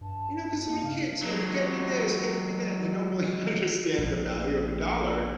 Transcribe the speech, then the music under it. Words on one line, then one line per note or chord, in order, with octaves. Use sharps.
you know, 'cause little kids, yeah, get me this get me that, and they don't really understand the value of a dollar,
G2 A5
A#3
C#3 F5
F#3 G#3
A#1 F3